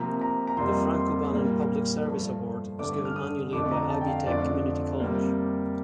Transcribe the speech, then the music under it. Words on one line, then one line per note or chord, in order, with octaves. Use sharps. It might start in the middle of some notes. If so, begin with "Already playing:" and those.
The Frank O'Bannon Public Service Award is given annually by Ivy Tech Community College.
Already playing: C3 F3 A#3 A#5
A#5
A#5
F2 C3 G3 A#3 C6
C6
A#2 G3 A#3
G2 F3 A3
G2 D3 A3 D6
F6
D#6
F2 D3 A3 D6
A#5
A5
G5
F5
F2 D3 F3 A3 D5
C3 G3 A#3